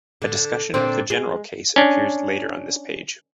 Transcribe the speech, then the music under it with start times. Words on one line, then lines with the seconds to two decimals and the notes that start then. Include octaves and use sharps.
A discussion of the general case appears later on this page.
0.22 D3
0.74 A#2 D3 C4
1.10 G#3
1.76 C#4 D4